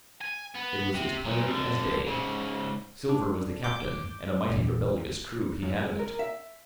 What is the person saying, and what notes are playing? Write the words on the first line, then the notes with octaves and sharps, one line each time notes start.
It was as plain as day. Silver was the captain, and a mighty rebellious crew he had of it.
G#5
B3
C3
B1 A#2
F2 D3
G#2 C#3
D4
D6 G6
A#1 E2
F#2
G#3
A#4
E5